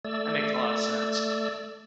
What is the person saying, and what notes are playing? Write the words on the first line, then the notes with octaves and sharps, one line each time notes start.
That makes a lotta sense.
A3 D5 E6